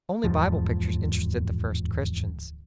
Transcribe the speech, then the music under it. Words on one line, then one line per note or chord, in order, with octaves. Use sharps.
Only Bible pictures interested the first Christians.
D1 E2 G#2 F3